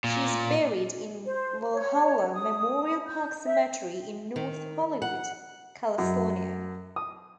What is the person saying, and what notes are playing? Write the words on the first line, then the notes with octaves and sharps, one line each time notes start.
She is buried in Valhalla Memorial Park Cemetery in North Hollywood, California.
A#2
C5
C#5
D#6
G6
E5
D#3
F#5
F#2
D#6